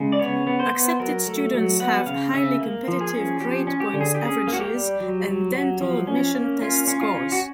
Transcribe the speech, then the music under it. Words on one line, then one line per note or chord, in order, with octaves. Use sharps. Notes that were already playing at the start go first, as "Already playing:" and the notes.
Accepted students have highly competitive grade point averages and dental admission test scores.
Already playing: C#3 G#3
D5
B3 C#5
B3
C5
B3
F#3 A#4
A3
F#3
B3 F#5
C#3 F5
C#3 E5
A#3
F3
G#4
C#4
F3 G4
C#4
G4
D3
G#4
G4
C#4 G#4
A#3
F#4
G4
G3
F#3
F#3
F#3
F3
C#4
A#3
C#4 F4
C#4
F4
C#4
F#4